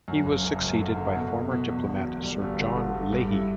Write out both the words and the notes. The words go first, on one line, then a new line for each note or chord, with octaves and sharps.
He was succeeded by former diplomat Sir John Leahy.
F#2
F#1
F#1
F#2
D3
D3
B2
B2
B2
E2
E1
E1
G3
G1
D3
D3
G2
G2
E4